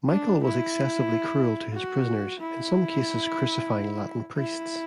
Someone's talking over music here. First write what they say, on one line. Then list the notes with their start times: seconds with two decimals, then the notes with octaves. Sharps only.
Michael was excessively cruel to his prisoners, in some cases crucifying Latin priests.
0.10 D4
0.43 E4
1.74 F#4
2.40 E4
4.37 E4